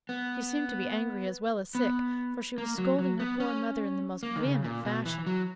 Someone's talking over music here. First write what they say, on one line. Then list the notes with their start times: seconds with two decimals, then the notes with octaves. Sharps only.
She seemed to be angry as well as sick, for she was scolding her poor mother in the most vehement fashion.
0.09 B3
1.75 B3
2.58 A#3
2.78 F#3
2.99 F#3
3.20 B3
3.40 C#4
4.23 A#3
4.36 D#3
4.44 C#3
4.64 A#2
4.85 B2
5.06 E3
5.26 F#3